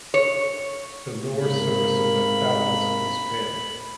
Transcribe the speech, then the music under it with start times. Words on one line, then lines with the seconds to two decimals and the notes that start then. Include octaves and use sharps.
The lower surface of the thallus is pale.
0.14 C#5
1.42 G#2 C3 A#3 B5